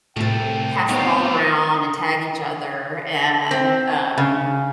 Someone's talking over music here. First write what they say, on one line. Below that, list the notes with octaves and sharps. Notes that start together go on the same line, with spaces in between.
pass the ball around and tag each other. And, um,
C2 A2 C3 A3 A4 G5
G3 B3 C4 D#4 F4 C#5 D5
C4
C#3